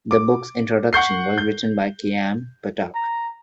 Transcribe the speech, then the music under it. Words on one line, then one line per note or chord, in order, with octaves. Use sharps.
The book's introduction was written by Chaim Potok.
D6
F#5 C#6 G6 C7
G6
A#5